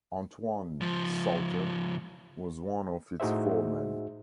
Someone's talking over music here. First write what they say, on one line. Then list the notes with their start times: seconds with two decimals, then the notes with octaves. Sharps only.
Antoine Sauter was one of its foremen.
0.81 C#2 F3
3.20 A2 D#4 F#4 G#4 C5 E5